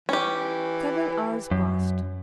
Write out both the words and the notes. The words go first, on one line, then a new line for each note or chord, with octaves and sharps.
Several hours passed.
E3 C#4 G4
F#2